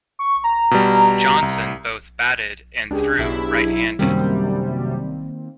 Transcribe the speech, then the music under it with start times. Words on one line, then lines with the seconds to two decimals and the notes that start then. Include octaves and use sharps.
Johnson both batted and threw right-handed.
0.19 C#6
0.44 A#5
0.71 B2 G3
1.42 C2
2.91 C#2 D4 G4 G#4
3.18 B1 E4
3.99 F#2 C3 D#3 G3 A#3 C4